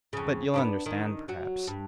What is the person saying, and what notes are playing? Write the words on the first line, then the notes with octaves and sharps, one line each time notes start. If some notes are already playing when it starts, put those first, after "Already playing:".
But ye'll understand, perhaps.
F2 C#3
B3 C#4 D4
D#3
F#3 F#4
G2